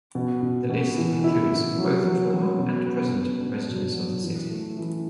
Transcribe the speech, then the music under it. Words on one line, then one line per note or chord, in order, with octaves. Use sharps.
The list includes both former and present residents of the city.
B2
B2
B2
E3
E4
E4
F#3
F#3
F#3
B2
B3
B3
D4
F#3
F#3
E3
A3
E3